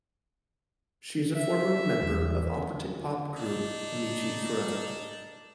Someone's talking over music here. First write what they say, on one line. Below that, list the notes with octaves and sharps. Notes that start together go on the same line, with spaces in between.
She is a former member of operatic pop group Amici Forever.
E5
E2
D4 D#4